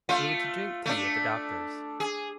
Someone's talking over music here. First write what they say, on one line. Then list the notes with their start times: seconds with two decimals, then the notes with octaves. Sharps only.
We were to drink tea at the Doctor's.
0.09 A3 F4
0.86 A3 D4
2.00 G#4